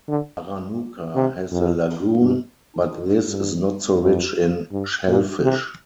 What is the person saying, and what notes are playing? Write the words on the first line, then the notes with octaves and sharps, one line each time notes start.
Aranuka has a lagoon, but this is not so rich in shellfish.
D3
C3
F2
G2
G2
F2
G2
A#2
C3